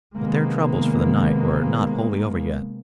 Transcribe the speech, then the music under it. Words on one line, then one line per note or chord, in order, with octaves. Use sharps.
But their troubles for the night were not wholly over yet.
C3 D#3 G#3 A#3 B3